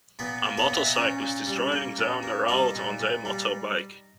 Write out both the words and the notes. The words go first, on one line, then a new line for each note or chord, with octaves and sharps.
A motorcyclist is driving down a road on their motorbike.
A#2 B3 B4
A#3
B3 B4
A#2
E5
D#5
A#2 C#4 C#5
A#2
G3
A#3
A#2
A#3
G3 D#4 D#5
A#2
A#2
G3